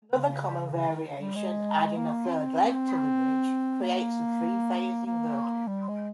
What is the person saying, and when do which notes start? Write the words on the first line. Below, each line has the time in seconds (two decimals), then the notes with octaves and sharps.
Another common variation, adding a third 'leg' to the bridge, creates a three-phase inverter.
0.12 C#3
0.73 C#3
0.89 D#3
1.20 G3
1.35 G#3
1.97 A#3
2.28 C4
3.82 A#3
5.06 A#3
5.67 G3
5.88 G#3